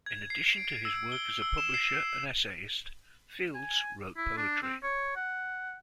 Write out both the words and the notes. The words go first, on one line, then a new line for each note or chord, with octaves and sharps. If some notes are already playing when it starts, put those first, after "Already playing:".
In addition to his work as a publisher and essayist, Fields wrote poetry.
G#6
C7
D7
E6
G7
E6
E7
C7
G#5
E4
D4
C4
C#5
F#5